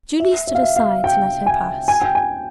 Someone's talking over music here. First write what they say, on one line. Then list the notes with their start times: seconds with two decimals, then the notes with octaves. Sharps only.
Julie stood aside to let her pass.
0.20 E5
0.47 E5
0.55 F5
0.62 E5
0.76 F5
1.04 G5
1.46 G#5
1.88 G#5
2.02 G5
2.15 G#5